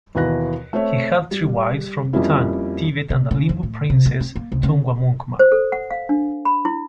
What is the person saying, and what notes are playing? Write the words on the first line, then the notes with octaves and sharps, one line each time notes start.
He had three wives from Bhutan, Tibet and a Limbu princess, Thungwamukma.
D#2 B2 E3 B4 F#6 A#6
A3 C4 C5 C#5 E5
G3
F2 G3 A#3 C#4 E4
C3
C#3
D#2
A2
C3
A3
C4
A#3
C2
C#3
C5
A4
F#5
F5
D4
B5
E4